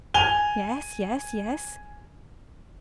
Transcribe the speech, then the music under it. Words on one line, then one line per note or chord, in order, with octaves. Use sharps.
"Yes, yes, yes!"
G#5 F7 G7